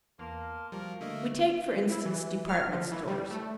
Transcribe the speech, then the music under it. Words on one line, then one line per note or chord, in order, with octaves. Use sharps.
We take, for instance, department stores.
E2 A#3 A5 C6 F6
F3 G3 F#4 A#4 F5
D3 A3 A#3 E4 D#5 E5
E4
E3
F6
F3
E3
G3
A3